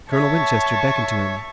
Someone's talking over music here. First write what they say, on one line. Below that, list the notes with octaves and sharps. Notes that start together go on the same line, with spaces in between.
Colonel Winchester beckoned to him.
C#5 E5 A5 C#6